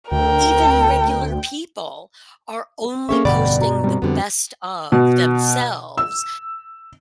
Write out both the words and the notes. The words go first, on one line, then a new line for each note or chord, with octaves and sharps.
Even regular people are only posting the best of themselves
D2 A#4 G5
A#3 C#4 G#4 A4 E5 C#6
A1 G2 B2 D3 D5 F#5 G5 B5
F#4 A#5
G3 C4
F2 D3 G3 B3 C4 F#4
B2
E6